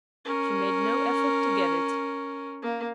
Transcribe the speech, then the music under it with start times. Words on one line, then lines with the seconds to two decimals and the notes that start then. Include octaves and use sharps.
She made no effort to get it.
0.25 C#4 A#4
2.62 A#3